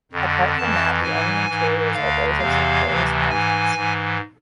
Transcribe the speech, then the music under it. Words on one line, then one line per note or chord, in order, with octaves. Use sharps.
Apart from that, the only interiors are those of some very small tents.
F2 D3
F2 E3 A5
G#2 E3 G#5
G#2 E3
D2 D3 F5
E2 C3 E3 F5
D2 C3 E3
G#2 E3 G#5
G#2 E3